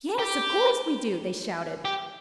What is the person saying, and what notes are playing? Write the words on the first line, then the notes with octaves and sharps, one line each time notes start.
"Yes, of course we do," they shouted.
G4
G4